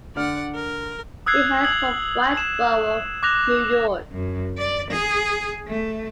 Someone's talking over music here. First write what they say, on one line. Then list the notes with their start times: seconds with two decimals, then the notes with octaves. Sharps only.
He hails from Whitesboro, New York.
0.16 D3 D5 F#5 F6
0.55 A#4
1.26 D#6 E6 F#6 G#6 C7
1.65 D#6 E6 G#6 F#7
2.37 E7
3.23 D6 F#6 A#6 F7
4.12 F#2
4.58 D5
4.90 G#4
5.68 A3